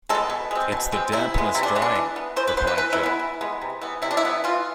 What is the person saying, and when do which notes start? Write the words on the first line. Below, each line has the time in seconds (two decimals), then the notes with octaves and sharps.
"It's the dampness drying," replied Jo.
0.09 G#3 A4
0.15 B3
0.30 B2
0.51 G#3 C4
0.72 B2
0.92 G#3 C4
1.12 C3 E4
1.34 G#3 B3
1.55 C3 E4
1.63 D4
1.75 G#3 B3
1.82 D4
1.95 E3
2.16 B3
2.36 E3 C5
2.47 B4
2.57 B3 C5
2.67 B4
2.78 E3 B4
2.93 E4
2.98 G#3
3.03 B3 E4
3.19 E3
3.41 G#3 B3
3.62 C3
3.81 E3 B3
4.02 C3 E4
4.11 D4
4.17 E4
4.24 E3 B3
4.44 E3 F4